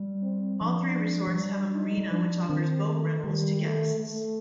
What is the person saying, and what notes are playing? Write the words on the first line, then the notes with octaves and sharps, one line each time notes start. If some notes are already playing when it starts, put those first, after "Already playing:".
All three resorts have a marina which offers boat rentals to guests.
Already playing: G3
C4
F3 D4
F3
G3 D4
D#4
G3
F3 D4
D#3 C4
A3
D#3 G3
A3
A3